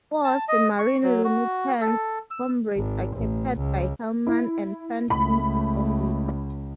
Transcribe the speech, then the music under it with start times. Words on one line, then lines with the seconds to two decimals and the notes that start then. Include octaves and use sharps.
Four of the marine lieutenant's comrades are captured by Hellman and turned into zombies.
0.24 A5
0.48 D#5
0.79 C#6
1.03 F#3
1.24 F#4
1.81 A4
2.31 E6
2.76 G#1
3.17 A1
3.57 C#2
4.27 E4
5.10 C#2 A3 B5